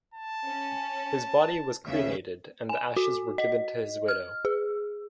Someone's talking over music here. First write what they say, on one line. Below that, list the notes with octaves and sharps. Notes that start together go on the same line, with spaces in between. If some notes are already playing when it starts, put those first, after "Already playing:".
His body was cremated and the ashes were given to his widow.
A5
C#4
D#2 C#3 E5
G#5
F#4
D#5
F6
G#4